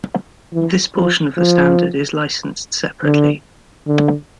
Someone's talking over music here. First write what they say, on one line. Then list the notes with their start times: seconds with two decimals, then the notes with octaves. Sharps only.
This portion of the standard is licensed separately.
0.54 E3
0.96 F3
1.37 F3
3.04 D3
3.87 D3